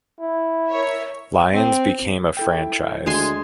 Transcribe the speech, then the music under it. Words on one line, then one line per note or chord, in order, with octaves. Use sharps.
Lions became a franchise.
E4
A#4 C#5 E5
C4
E4 A4 G5
D2 G#3 G#5 C6